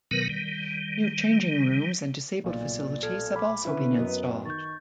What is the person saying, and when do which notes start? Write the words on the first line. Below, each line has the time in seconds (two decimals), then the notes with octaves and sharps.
New changing rooms and disabled facilities have also been installed.
0.11 B2 D#3 F#3 B3 A#4 B4
0.29 D#3 G3
2.44 B1 A#2 D5
3.03 A4 F6 G#6
3.36 B5 D6
3.65 D3 C#4 E4 B4
3.99 F#2 B3 A#4 D#5
4.45 D#3 C#6 G6 A6